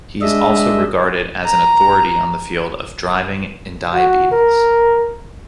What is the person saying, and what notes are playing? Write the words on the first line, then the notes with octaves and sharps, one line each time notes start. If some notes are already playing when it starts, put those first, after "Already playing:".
He is also regarded as an authority on the field of driving and diabetes.
G#3 D4 D#5 E5
A#5
F#4
A#4